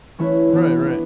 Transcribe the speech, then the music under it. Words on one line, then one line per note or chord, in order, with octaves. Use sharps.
Right, right.
E3 A3 C#4 E4 B4
E3 B3 D4
B3 D4